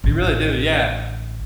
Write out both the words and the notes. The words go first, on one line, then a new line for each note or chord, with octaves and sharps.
You really do, yeah.
A1 D3